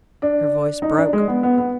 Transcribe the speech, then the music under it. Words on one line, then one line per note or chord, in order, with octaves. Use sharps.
Her voice broke.
D4
D#4
D4
G#3
B3
B3
B3